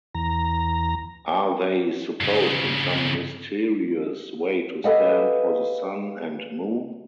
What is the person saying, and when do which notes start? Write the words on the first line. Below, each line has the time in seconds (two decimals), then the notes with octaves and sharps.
Are they supposed in some mysterious way to stand for the sun and moon?
0.15 E2 A#5
2.21 G2 C#3
4.84 G4 A4 B4 D#5 F5 F#5